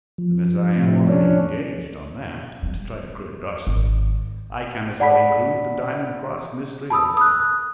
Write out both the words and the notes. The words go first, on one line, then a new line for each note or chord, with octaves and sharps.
But as I am already engaged on that, to try to clear Darcy, I can as well include the diamond cross mystery also.
F3
A2 C3
C#4 D4
G3 C4
G#1
D5 F#5 A5 B5 B6
A5 B5 D#6 E6
D#6 F#6